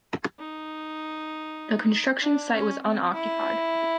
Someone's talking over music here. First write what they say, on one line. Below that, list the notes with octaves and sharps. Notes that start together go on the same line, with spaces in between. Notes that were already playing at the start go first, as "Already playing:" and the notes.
The construction site was unoccupied.
D#4
D4
C#4
C4
E4